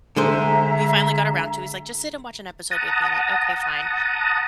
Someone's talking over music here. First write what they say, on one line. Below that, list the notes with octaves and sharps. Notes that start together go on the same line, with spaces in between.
we finally got around to it, he's like, "Just sit and watch an episode with me." I'm like, "Okay, fine."
D3 G#3 G#4 C5 E5 A#5
F#5 A5 A#5 D#6